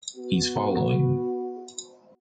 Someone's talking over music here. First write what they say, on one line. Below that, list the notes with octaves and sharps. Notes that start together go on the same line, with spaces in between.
He’s following.
B3 F#4